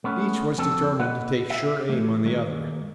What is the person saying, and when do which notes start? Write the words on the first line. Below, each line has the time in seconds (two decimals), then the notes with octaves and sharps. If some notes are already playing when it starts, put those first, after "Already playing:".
Each was determined to take sure aim on the other.
0.04 A3 B3 C#4
0.58 F2 C4 A4
0.99 A#3 B4 D#5 F#5
1.50 E5
1.89 E3 A3
2.25 D#3 G#3 A#3